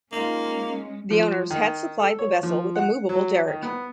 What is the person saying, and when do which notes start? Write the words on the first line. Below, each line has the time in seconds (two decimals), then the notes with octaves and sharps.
The owners had supplied the vessel with a movable derrick.
0.12 G#3 A#3 C#4 D#4 F4
1.10 F3
1.51 D#3
1.99 A4
2.19 C#5
2.43 F3
2.76 F#5
3.09 F#3
3.48 D#3
3.62 B3